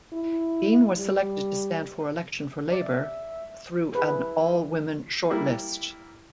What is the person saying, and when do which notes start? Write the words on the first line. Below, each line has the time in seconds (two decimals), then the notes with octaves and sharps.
Dean was selected to stand for election for Labour through an all-women shortlist.
0.13 E4
0.98 G3
2.72 D5 E5
3.95 E4 G#4 B4
5.30 G3 A#3 E4